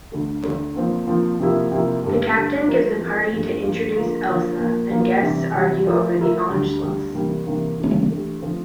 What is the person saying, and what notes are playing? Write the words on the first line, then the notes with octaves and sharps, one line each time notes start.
The Captain gives a party to introduce Elsa, and guests argue over the "Anschluss".
D2 D3 A3
D2 D3 A3
A#2 F3 C4
A#2 F3 C4
C3 F3 A#3 E4 G4
C3 F3 A#3 E4 G4
G2 D3 A3 D4 A4
G2 D3 A3 D4 A4
F3 C4 E4 A#4
F3 C4 E4 A#4
G2 F3 A#3 D4 F4
G2 F3 A#3 D4 F4
D3 F3 A#3 F4
D3 F3 A#3 F4
A#2 F3 A#3
A#2 F3 A#3
C3 E3 G3
C3 E3 G3
F3 A3 E4 A#4
F3 A3 E4 A#4
D2 D3 G3
D2 D3 G3
C3 E3 G3 A#3
C3 E3 G3 A#3
E3 A3 D4 G4
E3 A3 D4 G4
D3 F3 A3 C4 F4